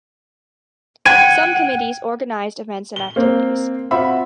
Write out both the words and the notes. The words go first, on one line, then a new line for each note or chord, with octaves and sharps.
Some committees organized events and activities.
F#5 G5 G#6 D#7
G7
A#3 C4
C4 F4 F#4 E5 F#5 B5